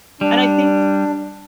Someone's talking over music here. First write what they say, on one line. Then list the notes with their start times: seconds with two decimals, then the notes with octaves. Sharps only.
And I think
0.21 G3 D4